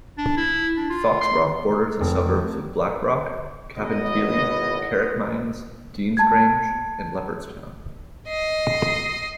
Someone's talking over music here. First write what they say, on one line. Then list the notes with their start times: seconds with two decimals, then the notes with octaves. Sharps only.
Foxrock borders the suburbs of Blackrock, Cabinteely, Carrickmines, Deansgrange and Leopardstown.
0.18 D4
0.37 E4
0.77 D4
0.90 F4
1.21 C6
2.01 F1
3.77 G#1 B2 B3 E4 D#5
6.17 A5 G#6
8.28 D#5 C7